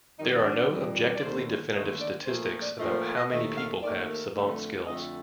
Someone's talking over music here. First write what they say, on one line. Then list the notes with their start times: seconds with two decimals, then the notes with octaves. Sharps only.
There are no objectively definitive statistics about how many people have savant skills.
0.18 F2 D#3 G3 D#4
0.44 D4
0.70 F2 D#3 G3
1.15 D5
1.22 D#2 D3 A3 C5
1.74 D#2 D3 A3 D#5
2.00 D5
2.26 A#2 F3 A3 C5
2.44 A#4
2.61 D5
2.78 A#2 F3 A3 D#5
2.91 C5
3.04 C5
3.13 F5
3.17 D#5
3.30 D#2 D#3 A3 D#5
3.56 F5
3.82 D#2 D#3 A3 D5
4.08 A#4
4.34 F2 D3 A3
4.86 F2 D3 A3 D#5